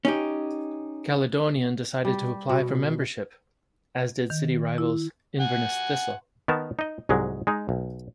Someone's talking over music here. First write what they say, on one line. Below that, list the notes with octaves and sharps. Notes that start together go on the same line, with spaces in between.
Caledonian decided to apply for membership, as did city rivals Inverness Thistle.
C#4 D#4 G4
G3
B2
D#3
E4
F#5 G#5
D#3 B3 A#4 A5
D#4 D#5
C2 G#2 F#3 G#3
G#3 D#4
B1